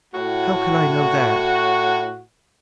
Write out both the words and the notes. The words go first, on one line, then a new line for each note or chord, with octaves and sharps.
"How can I know that?"
A2 F#4